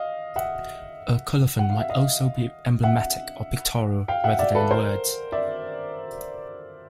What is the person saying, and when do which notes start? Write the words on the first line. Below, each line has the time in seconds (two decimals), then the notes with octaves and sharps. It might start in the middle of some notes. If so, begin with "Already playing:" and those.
A colophon might also be emblematic or pictorial rather than in words.
Already playing: D#5 F5
0.36 E5 F#5
1.59 F#5
1.70 F5
1.79 E5
1.90 D#5 F5
2.83 E5 F#5
4.08 F5 G5
4.24 E5 F#5
4.39 D5 E5
4.55 A4 B4
4.71 A#4 C5
5.32 D5 E5